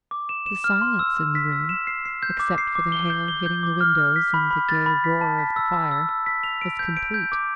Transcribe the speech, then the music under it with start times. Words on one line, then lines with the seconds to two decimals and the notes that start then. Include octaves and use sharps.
The silence in the room, except for the hail hitting the windows and the gay roar of the fire, was complete.
0.11 D6
0.29 E7
0.46 E7
0.64 F6
0.82 C6
0.99 E6
1.17 E6
1.35 B6
1.52 E6
1.69 E7
1.87 C7
2.05 C7
2.23 G6
2.40 D6
2.58 C7
2.75 D6
2.92 G7
3.10 G6
3.28 G7
3.46 G6
3.63 D6
3.81 F6
3.98 F6
4.16 B6
4.34 B5
4.51 B5
4.69 A6
4.86 B5
5.04 B6
5.21 A5
5.38 B6
5.56 E6
5.74 E6
5.91 E6
6.09 E6
6.26 B6
6.43 F7
6.61 D7
6.79 G6
6.97 D7
7.14 G6
7.32 D6